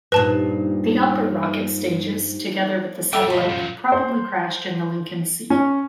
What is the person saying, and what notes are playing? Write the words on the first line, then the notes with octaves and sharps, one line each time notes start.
The upper rocket stages, together with the satellite, probably crashed in the Lincoln Sea.
G2 A#2 D#4 G4 B4 C5 A5
G3 A3 A4 E5 G5 D6 F6
F4 G4 D#5 F5 B5
F#2 A#2 C#4 F#5 G6
C5
C#4